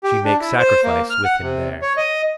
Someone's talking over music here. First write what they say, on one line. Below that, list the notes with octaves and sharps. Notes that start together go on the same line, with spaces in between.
She makes sacrifice with him there.
G4
D4
E4
C5
A#3
F6
F#5
C3
C#5
D#5